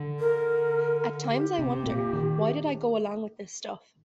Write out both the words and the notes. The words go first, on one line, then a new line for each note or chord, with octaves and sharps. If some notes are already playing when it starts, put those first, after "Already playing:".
At times I wonder, why did I go along with this stuff?
Already playing: D3
A#4
G4
C3
A#2
D#3